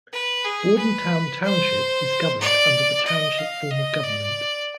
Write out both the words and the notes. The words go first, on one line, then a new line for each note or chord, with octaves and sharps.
Bordentown Township is governed under the Township form of government.
B4
G#4
B4
C5
D5
D#5
F5
D#5
D5